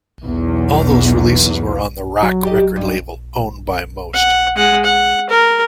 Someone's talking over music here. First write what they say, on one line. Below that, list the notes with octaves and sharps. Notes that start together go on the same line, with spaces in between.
All those releases were on the Rak record label, owned by Most.
B1 E2
F#3
G3 G4 D#5
G2 D#4
F#5
G#3 F#5
F#5
A#4